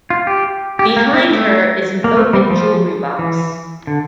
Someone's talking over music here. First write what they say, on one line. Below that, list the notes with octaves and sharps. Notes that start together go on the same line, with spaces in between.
Behind her is an open jewelry box.
F4
G4
G4
A#3
C4
A3
A#3
A3
G3
F3
E3
D3